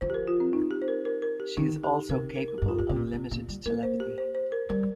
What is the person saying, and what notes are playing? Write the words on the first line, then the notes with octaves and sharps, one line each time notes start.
She is also capable of limited telepathy.
F3 C5
G4
A#4
F4
C4
D#4
G4
C5
A#4
A#4
A#4
G4
D#3 D#4
G4
C3 A#4
A#4
A#4
G2 G4
F4
G2 G4
C3
A#2
A#2
A#2
G3
A#3 A#4
C5
G4
C5
C5
A#4
G3 A#4